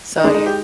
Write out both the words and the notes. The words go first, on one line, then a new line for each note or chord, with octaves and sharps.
so yeah.
D#4
G#3 D4
D#4
G4